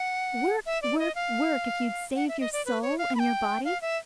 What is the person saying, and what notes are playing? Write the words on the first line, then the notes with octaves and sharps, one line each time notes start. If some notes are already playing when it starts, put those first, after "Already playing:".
Work, work, work if you'd save your soul and your body.
Already playing: F#5
E5
D5
D#5
F5
F#5
E5
D#5
D5
B4
C#5
F5
B5
G5
F5
E5